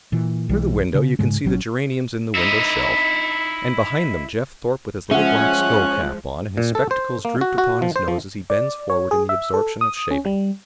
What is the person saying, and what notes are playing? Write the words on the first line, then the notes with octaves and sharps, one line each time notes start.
Through the window you can see the geraniums in the window shelf and behind them Jeff Thorpe with his little black scull cap on and his spectacles drooped upon his nose as he bends forward in the absorption of shaving.
A#2 E3
B1 E3 G3
C#3
G#2 C#3 G#3
A1 F#3 C#4
D#4 E4
F3 G#3 C#4 E5 F#5 F#6
A#2
A4
C5
A#3
F#4
F#4
F3
C5
F3
D5
C#5
G#4
E5
A4
D#6
C#4
G3